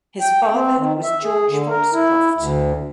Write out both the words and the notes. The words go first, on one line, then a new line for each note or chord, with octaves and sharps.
His father was George Foxcroft.
G5
C4
D#3
E5
G#4
D3
A#4
E4
D2